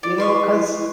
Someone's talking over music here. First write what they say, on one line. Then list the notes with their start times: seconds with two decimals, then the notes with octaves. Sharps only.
You know? 'Cause,
0.03 E4 D5
0.18 B4 C6 C#6